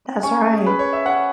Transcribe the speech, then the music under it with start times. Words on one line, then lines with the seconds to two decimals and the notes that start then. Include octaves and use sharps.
That's right.
0.23 C#4 G#5 C#6
0.53 G#4
0.64 C#4 B4
0.79 C#5
0.93 E5
1.06 C#4 C#5 F#5